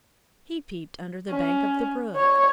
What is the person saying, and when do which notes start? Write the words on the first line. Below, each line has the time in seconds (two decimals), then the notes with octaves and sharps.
He peeped under the bank of the brook.
1.31 C#4
2.16 C#5